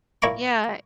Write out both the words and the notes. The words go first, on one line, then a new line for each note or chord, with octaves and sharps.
Yeah, eh
A#2 E4 A#5 C#6 D6